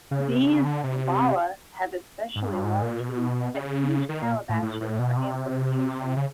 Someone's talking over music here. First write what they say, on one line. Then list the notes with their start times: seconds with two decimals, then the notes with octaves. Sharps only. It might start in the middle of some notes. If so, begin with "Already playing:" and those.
These "bala" have especially long keys and huge calabashes for amplification.
0.11 C#3
0.29 C3
0.48 C#3
0.65 D3
0.84 C3
2.36 G#2
2.46 G2
2.64 G#2
2.82 A#2
3.00 B2
3.54 C#3
4.09 D#3
4.22 A#2
4.49 A2
4.62 A2
4.81 A2
4.99 B2
5.17 C3
6.16 C#3